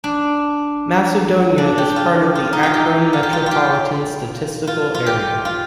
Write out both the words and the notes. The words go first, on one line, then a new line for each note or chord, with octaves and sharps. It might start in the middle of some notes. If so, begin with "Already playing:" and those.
Macedonia is part of the Akron Metropolitan Statistical Area.
D4
D4
G4
F4
F4
D#4
F4
G4
F4
G4
F4
F4
G4
F4
F4
G4
F4